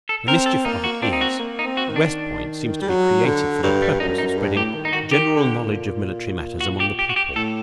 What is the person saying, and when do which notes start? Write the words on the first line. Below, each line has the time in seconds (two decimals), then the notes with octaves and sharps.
The mischief of it is that West Point seems to be created for the purpose of spreading a general knowledge of military matters among the people.
0.09 A4
0.28 C4 A#4
0.46 A4
0.65 A#3 D#4
0.84 F#4
1.02 C4 D4
1.13 D#4
1.21 F#4
1.39 A#3
1.59 D#4
1.65 C4
1.77 F#4
1.89 D#3
1.96 D4
2.81 G3
2.89 F#3
3.26 D3
3.63 G2 F#3
3.82 G3
4.00 F#2 D#4
4.18 D#4
4.38 G2
4.56 A2 G4
4.75 D#3
4.85 D#4
4.93 D#3 F#4
5.11 D#3 G4
5.37 D3
5.62 A#2
6.61 F#4
6.80 G4
6.99 G4
7.09 F#4
7.16 G4
7.35 A2 A4